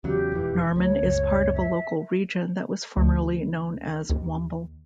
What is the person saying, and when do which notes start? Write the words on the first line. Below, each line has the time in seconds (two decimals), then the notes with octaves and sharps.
Norman is part of a local region that was formerly known as Womble.
0.04 E2 C#3 F#3 G4
0.32 E1 F2 E3
0.76 D2 C#5
1.04 F#1 C#2
1.53 E5
2.97 D2
4.10 D#2